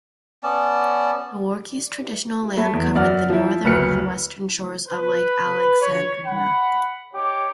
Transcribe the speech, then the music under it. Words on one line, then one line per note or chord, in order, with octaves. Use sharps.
The Warki's traditional land covered the northern and western shores of Lake Alexandrina.
B3 C#4 D5 A5
A3 B5
E2
F#2 D5 F#5 F6
F3 E4
F#1 D2 B4 F6 C#7
B4
C#5
F#5 B5
D#4 G4 C#5 D6